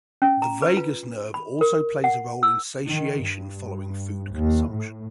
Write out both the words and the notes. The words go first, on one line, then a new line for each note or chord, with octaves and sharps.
The vagus nerve also plays a role in satiation following food consumption.
C#4
A#5
B4
F4
B5
A#4
F#5
E6
D#3
G2
D#2
A2